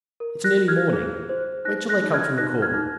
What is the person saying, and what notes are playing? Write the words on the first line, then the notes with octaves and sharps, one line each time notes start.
It's nearly morning; wait till they come from the cordon.
A#4
F#6 A#6
F#4
F6 G#6
G#4
C5
D#4 F#6 A#6
F#6 A#6
D#4
F6 G#6
D#4 F#6 A#6
F6 G#6
D#4